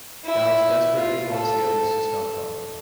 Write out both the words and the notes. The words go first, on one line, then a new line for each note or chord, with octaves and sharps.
Giles desperately wants the others to stop talking.
E4
F4
A4